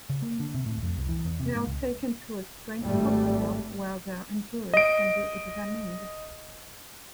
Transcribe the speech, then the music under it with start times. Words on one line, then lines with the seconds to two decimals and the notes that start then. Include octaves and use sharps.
They are taken to a strange hospital where their injuries can be examined.
0.10 C#3
0.22 A#3
0.40 D3
0.54 C3
0.66 A2
0.83 F2
0.97 C2
1.09 E3
1.25 E2
1.40 C3
1.55 G#2
1.67 C#2
2.83 G#1 G3 A3
4.74 D#5 D7